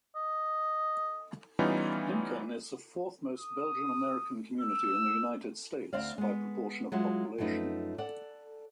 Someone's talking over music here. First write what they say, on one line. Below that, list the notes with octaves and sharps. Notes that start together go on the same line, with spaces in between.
Lincoln is the fourth-most Belgian-American community in the United States, by proportion of population.
D#5
E3 G3 B3 C#4 D#4 F4
D#6
E6
D2 C4 C5 D5 F5
G#3 B3
F#3 G#3 E4 F4
F#2 F3 A3 D#4 B4
A4 D5 F#5